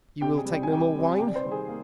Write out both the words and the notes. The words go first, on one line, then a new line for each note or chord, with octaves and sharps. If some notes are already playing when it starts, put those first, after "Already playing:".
"You will take no more wine?"
C3 G4 G5
G#4 G#5
G3 C4
G5
G#5
C3 G4 G5
G3 C4
C3 G4 G5
D5
C4 C5
D#3 G3
G#4
A#3